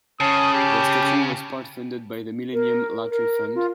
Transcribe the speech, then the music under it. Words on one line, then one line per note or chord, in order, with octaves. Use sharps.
The statue was part-funded by the millennium lottery fund.
C#3 C#4 A5 D#6
G4
A#4
A#4
F4